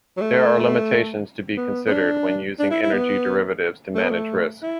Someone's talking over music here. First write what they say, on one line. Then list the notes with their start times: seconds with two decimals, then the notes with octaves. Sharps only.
There are limitations to be considered when using energy derivatives to manage risk.
0.17 F#3
0.21 A3
1.57 B3
1.88 B3
1.91 D4
2.59 D4
2.71 E4
2.82 E4
2.93 B3
3.95 A3
4.03 B3
4.11 A3
4.63 E4